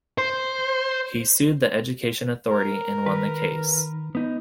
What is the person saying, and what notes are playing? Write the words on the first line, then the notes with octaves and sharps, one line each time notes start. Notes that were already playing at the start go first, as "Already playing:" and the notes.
He sued the education authority and won the case.
C5
A#4
D#3 B4
B3 D#4